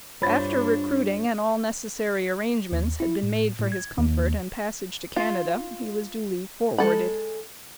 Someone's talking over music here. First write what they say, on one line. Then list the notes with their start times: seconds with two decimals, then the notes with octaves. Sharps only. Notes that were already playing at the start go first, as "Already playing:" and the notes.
After recruiting, and all necessary arrangements had been made for his comfort and passage to Canada, he was duly forwarded.
0.22 G2 D4 F4 C5 C#5 B5 A6
2.72 D#2
3.00 E4
3.23 A2
3.59 A2
3.72 G#6
3.98 D#2
5.16 F4
6.78 G#3 A4 B5